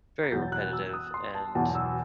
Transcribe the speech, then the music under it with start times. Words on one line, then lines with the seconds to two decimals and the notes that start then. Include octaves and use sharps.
very repetitive and,
0.24 A6
0.32 E2 B2 F#3 G6
0.52 F#6
0.73 E6
0.93 D#6
1.14 C6
1.35 A5
1.55 E2 B2 F#3 A5
1.75 E6